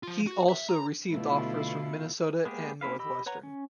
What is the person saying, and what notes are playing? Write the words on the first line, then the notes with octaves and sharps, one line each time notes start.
He also received offers from Minnesota and Northwestern.
F3 F4
F#4
E5
A#5
B2 D3 A3 E4 F4
G#3 A#3 B3 G4 G#4
A#3 C#4 E4 B4 F5
G4 D#5 B5 E6
B4 C#5 F#5 A#5
C#4